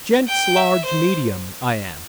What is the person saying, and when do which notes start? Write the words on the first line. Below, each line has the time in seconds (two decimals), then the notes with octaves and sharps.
"Gents' large medium, I am."
0.28 G5
0.57 E5
0.86 C5